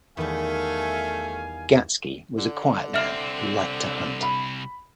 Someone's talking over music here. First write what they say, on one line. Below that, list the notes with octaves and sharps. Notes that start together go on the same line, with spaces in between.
Gatski was a quiet man who liked to hunt.
E2 D#3 G3 A3 B3 F5 G#5 D#7
D3
C2 C4 E5 F6
B5